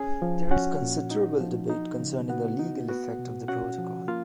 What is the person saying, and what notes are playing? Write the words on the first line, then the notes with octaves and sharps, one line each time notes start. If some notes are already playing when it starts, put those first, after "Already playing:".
There is considerable debate concerning the legal effect of the protocol.
Already playing: C#4 G#4 G#5
F3
C#4 F#4 F#5
A#2
D#4
F3
D#4
C#3
B3 F#4 F#5
D#4
B3 F#4 F#5
B2
C#4 F#4 F#5
F3
A#3 F4 F5